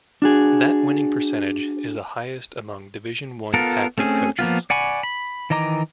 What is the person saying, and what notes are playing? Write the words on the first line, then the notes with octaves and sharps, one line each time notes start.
That winning percentage is the highest among Division One active coaches.
D4 F#4 G#4
B3 F4 A4 A#4
A3 C4 C#4 G#4
F3 A#3 B3 F4
D5 F#5 G#5 B5 C#6
B5
D#3 E3 D#5 A#5 D6